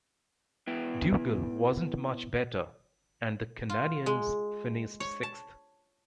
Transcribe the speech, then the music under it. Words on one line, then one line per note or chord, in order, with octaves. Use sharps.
Dugal wasn't much better and the Canadiens finished sixth.
B3 E4 B4 E5 G5
F4
G#3
C#5
A5